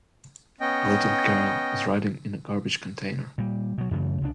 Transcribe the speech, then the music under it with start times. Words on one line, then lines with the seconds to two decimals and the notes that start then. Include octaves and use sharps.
A little girl is riding in a garbage container.
0.60 B3 C#4 D#5 G5
3.38 A#2 G3
3.78 B2 F#3
3.91 F#2 C#3 E3 A3
4.21 C2 C#3 D4